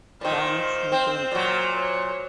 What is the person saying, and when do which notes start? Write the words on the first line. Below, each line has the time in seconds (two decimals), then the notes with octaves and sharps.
Comics imprint.
0.21 A#2 D#3 C5 F5
0.92 C4
1.32 A#2 F#3
1.75 C5 C#5